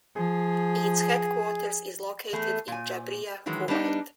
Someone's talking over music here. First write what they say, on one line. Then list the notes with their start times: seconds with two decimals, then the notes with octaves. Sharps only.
Its headquarters is located in Jabriya, Kuwait.
0.16 F3 G#4
2.33 E2 A3 G#4
2.68 A#2 G#5
3.46 D#3 E3 F#3 G#3
3.68 G3 B3 D4 D#4